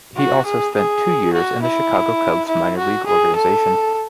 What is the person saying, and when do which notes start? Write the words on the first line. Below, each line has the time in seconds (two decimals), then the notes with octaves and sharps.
He also spent two years in the Chicago Cubs' minor league organization.
0.17 F#4
0.46 G#4
0.75 G#4
1.33 F#4
1.62 E4
2.48 E4
2.78 F#4
3.06 G#4
3.35 A4